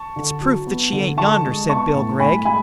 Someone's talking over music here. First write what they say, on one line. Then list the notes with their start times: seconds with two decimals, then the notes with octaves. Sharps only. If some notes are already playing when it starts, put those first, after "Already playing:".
"It's proof that she ain't yonder," said Bill Gregg.
Already playing: A5 C#6
0.16 D3
0.41 F#3
0.67 B3
0.93 D3
1.18 D3 A5 C#6
1.44 G#3
1.69 B3 A5 C#6
1.95 A2
2.20 A2 G#5 B5
2.45 G#3 G#5 B5